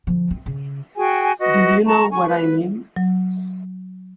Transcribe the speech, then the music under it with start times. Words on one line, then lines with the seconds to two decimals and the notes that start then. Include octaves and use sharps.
Do you know what I mean?
0.07 D3 F3
0.31 C4
0.46 C#3
0.97 F#4 G#4 G5 G#5
1.39 F#4 B4 D#5
1.86 A5 A#5 C#6
2.11 G#5 C#6
2.26 B4
2.96 F#3